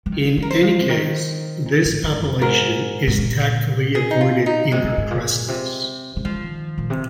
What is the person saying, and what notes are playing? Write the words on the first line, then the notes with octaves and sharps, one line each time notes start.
In any case, this appellation is tactfully avoided in her presence.
F3
D#3
D#3 A#4
C5
F3
C3
D#3
A#2
G#2
G#2
F2
G#2 A#4
G#2
A#2
G#4
D#4
F4
D#4
C3 G#3
A#2
G#2
A#2
C3
C3
D#3 F3
A#2
C3